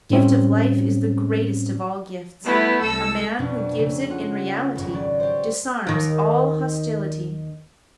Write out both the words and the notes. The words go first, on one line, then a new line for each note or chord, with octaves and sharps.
Gift of life is the greatest of all gifts; a man who gives it in reality, disarms all hostility.
A2 G3 C4 C#4
G3 A3 B3 E4
C2 A4 E6
F2 B2 F3 D4
C#3 A3
F4 F#5
G#1 F2 F#3 G#3
F#3 D5
G4 C5
D#2 D#3